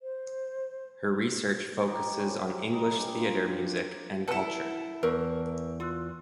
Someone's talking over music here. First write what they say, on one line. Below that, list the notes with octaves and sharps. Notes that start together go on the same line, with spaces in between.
Her research focuses on English theater music and culture.
C5
G4 A#4 D#5
G3 C#4 C5 D5
D#5 A#5 B5
G2 G#3 G4
D4 F4
E4 A4 B4 F#5
E2 A#4 B4 C#6 E6
F4 C6 E6 F#6